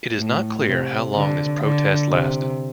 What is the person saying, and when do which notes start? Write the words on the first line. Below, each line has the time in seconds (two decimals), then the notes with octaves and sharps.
It is not clear how long this protest lasted.
0.17 A2
0.66 C3
1.14 D3
1.63 D3
2.11 C3